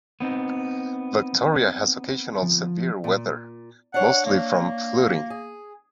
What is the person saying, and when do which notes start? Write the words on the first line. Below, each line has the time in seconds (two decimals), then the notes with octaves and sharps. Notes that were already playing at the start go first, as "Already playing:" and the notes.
Victoria has occasional severe weather, mostly from flooding.
0.20 B3 C4 D#4
2.42 F3
3.04 A#2
3.94 D4 C#5 F#5
4.26 A#3
5.30 G#4